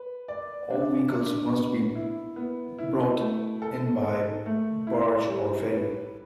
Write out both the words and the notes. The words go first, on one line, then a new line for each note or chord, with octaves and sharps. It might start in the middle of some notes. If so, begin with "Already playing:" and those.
All vehicles must be brought in by barge or ferry.
Already playing: B4
D5
D4
D4
B3
E4
B3
E4
A3
A4
A4
A3
E4
G3
B4